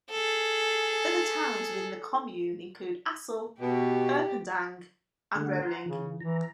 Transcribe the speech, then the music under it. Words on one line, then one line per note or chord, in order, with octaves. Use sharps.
Other towns within the commune include Assel, Erpeldange, and Rolling.
G#4 A4
B2 G4
D3 A3 F#5
F#5 A#5 C6
C#3 E3
E3 A#5